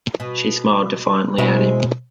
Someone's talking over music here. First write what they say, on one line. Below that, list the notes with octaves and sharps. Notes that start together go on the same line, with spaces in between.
She smiled defiantly at him.
B2
B2 G#3 C4 E4